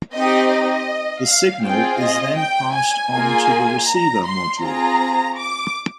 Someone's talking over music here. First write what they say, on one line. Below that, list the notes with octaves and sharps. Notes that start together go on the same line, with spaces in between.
The signal is then passed on to the receiver module.
C4 D#4 G4 D#5
D#5
F5
C4 F4 G#4 G5
D#5
G5
G#5
A#3 F4 G#4 G#5
A#5
C6
C4 F4 G#4 A#5
D6